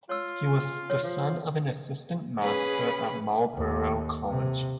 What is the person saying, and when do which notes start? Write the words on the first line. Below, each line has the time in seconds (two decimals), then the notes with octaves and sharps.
He was the son of an assistant master at Marlborough College.
0.09 F4 C#5 E6
0.90 C#5
1.03 F3
2.41 C#4 G#4 B4 B5
3.55 D#2
4.29 C3